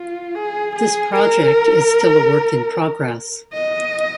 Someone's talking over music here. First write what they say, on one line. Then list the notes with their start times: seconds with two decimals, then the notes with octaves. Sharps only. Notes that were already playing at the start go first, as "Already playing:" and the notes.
This project is still a work in progress.
Already playing: F4
0.35 G#4
0.75 G#4
1.15 A#4
3.54 D#5